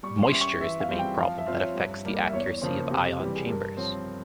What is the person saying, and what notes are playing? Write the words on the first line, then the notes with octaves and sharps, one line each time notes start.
Moisture is the main problem that affects the accuracy of ion chambers.
G3 C#6
C6
C#4 G4 C#5 E5
C#6
E3 E5
F5
G3 C4 F4 G#4
G5
F3 F5
E5
C4 F4 C5 F5
C#5
G2
G3 A#3
E5
E2 C#5
C#3 F3 A#3 C5
C3 G4
G4
E3 G3 G4
G#4
G2 A#4
F3 C4 C#5